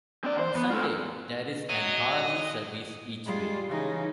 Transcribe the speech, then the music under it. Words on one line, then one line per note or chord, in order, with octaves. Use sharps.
On Sunday, there is an hourly service each way.
C4 D5
C5
B3
A3 F4
F#3 D#5
G3 G#3 F4
C#3 E3 D#4